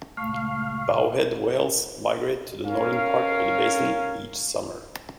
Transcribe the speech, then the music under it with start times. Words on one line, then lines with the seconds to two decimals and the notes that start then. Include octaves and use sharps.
Bowhead whales migrate to the northern part of the basin each summer.
0.17 C#2 A#2 A3 F5 C#6
2.65 C#4 A#4 F5